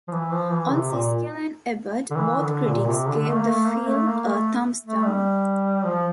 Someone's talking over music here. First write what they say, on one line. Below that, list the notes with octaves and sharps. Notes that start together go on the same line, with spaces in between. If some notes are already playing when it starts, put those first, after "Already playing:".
On Siskel and Ebert, both critics gave the film a thumbs down.
F3
E3
F3
E3
C3
A#2
D3
E3
D3
A#2
C3
D3
A3
A#3
A3
A#3
A3
A#3
A3
A3
G3
F3